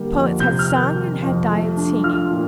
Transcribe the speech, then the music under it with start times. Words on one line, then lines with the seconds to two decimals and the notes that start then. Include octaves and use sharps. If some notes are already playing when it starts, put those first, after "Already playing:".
Poets had sung and had died singing.
Already playing: D3 G3 A#3
0.13 F2
0.40 C3 G6
0.59 F6
0.68 D#3
0.76 G6
0.95 G3
1.22 F2
1.50 A3
1.77 D4
2.04 F4 F6
2.31 A#2